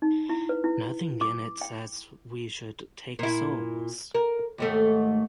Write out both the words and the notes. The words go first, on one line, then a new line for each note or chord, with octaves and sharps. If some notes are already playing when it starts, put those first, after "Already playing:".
Nothing in it says we should take souls.
D#4
E4
B4
E4
D6
G5
A#2 E4
A#4
D#2 G#2 A3